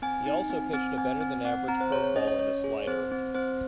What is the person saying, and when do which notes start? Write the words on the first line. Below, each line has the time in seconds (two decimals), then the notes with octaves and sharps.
He also pitched a better-than-average curveball and a slider.
0.02 C4 G#5
0.26 D#4
0.50 C4
0.74 C4
0.98 C4 G#5
1.20 C4
1.45 C4 F#5
1.68 C4 A#5
1.81 C5
1.92 G#4 C#5
2.04 C#5
2.16 C#4 D#5
2.28 C#5
2.39 C#4 C#5
2.64 G#4
2.87 C4 C5
3.11 C4
3.35 C4 C5